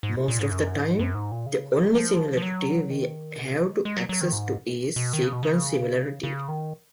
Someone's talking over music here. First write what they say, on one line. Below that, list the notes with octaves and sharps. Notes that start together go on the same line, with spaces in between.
Most of the time the only similarity we have access to is sequence similarity.
G#2
A#2
G#2
F#2
G#2
F#2
G#2
A#2
C#3
F3
F3
F#3
D#3
B2
F3
G#3
G#3
F#3
F#3
D#3
G#2
B2
D#3
C#3
B2
C#3
C#3
D#3